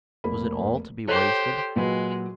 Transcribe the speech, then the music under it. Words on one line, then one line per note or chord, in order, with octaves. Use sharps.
Was it all to be wasted?
F1 A#3 B5
G4 A4 C5 C#5 F#6
A#2 F#3 G#3 B4